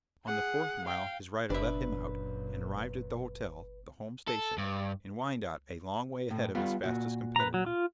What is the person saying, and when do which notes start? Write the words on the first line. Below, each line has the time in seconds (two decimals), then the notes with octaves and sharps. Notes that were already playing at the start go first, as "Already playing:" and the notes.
On the fourth mile his rider let him out, and arrived at the hotel--the home-station--in Wyandotte a long way ahead of his fastest competitor.
0.25 G#4 F#5
0.85 F5 G5
1.50 F#1 F#2 A#2 D4 B4 E5
4.28 A4
4.58 G2
6.31 A2
6.55 G3 B3 F4
6.84 A#2 F#4
7.36 B4 A#5
7.54 F#3
7.66 F4